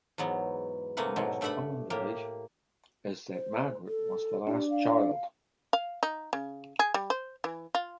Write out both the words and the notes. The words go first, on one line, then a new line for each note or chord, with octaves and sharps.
The most common belief is that Margaret was the last child.
E2 G#2 F#3 B3
C3 A3 A#3 B4 F#5
G#2 B2 F#3
G2 A3 D5 E5 F#5 B5
A2 A#3 G4
C5
A4
D4 G4
F5
F5
D#4
C#3
G#4
G3
C5
E3
F4